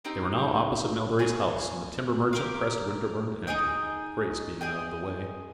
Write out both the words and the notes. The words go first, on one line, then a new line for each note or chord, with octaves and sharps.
They were now opposite Melbury's house, and the timber-merchant pressed Winterborne to enter, Grace being out of the way.
C4 D#4 G4
G#4 C#5 G#5
G4 A#4 F5
D#4 G#4 D#5 G5
G#4 D#5 G5